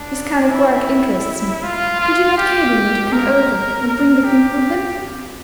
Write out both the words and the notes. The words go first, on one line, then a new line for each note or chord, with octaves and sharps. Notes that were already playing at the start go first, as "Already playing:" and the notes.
'This kind of work interests me. Could you not cable him to come over and bring the thing with him?
Already playing: D4
E4
F4
F4
G4
A#4
A#4
G4